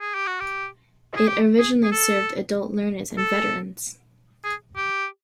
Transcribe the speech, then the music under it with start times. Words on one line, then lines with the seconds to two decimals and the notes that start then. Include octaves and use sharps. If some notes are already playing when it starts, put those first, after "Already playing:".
It originally served adult learners and veterans.
0.01 G#4
0.15 G4
0.27 F#4
0.40 G4
1.16 G#4
1.28 G4
1.59 G#4
1.84 G#4
1.92 A4
3.18 A4
4.44 G#4
4.77 G4